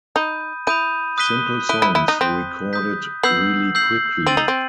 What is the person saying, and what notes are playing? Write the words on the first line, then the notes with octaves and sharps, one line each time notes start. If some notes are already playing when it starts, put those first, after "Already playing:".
Simple songs recorded really quickly.
D#4 B5 D#6 G6 D#7
E4 B5 D#6 G6 D#7
D#6 F#6 B6 D#7 G7
E4 D#6 F#6 B6 D#7 G7
E4
E4
D#4
C4 D#6 G6 B6
D#6 G6 B6
B3 E6 G6 C7 F#7
E6 G6 C7 F#7
C4 E6 A6 D#7 F#7
D#4
C4